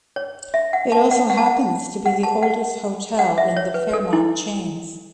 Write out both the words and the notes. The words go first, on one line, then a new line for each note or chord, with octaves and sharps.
It also happens to be the oldest hotel in the Fairmont chains.
C#5
E5
F#5
A5
F#5
F#5
A5
F#5
F#5
A5
F#5
F#5
E5
C#5
B4
A4
E4